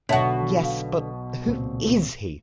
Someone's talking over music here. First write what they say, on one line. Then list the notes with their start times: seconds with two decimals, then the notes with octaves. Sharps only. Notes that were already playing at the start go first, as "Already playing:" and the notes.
Yes, but who is he?
0.09 B1 B2 D3 F#4 C#5 E5 A5 B6
0.64 F5
1.47 C#2 A#2 C4